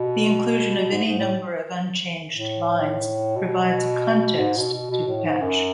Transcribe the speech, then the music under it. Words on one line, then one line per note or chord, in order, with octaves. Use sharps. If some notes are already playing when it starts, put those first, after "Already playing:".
The inclusion of any number of unchanged lines provides a "context" to the patch.
Already playing: B2
B2
G#2
G#2
A2
A2
B2
G#2
B2
B2
B2
A2
G#2
F#2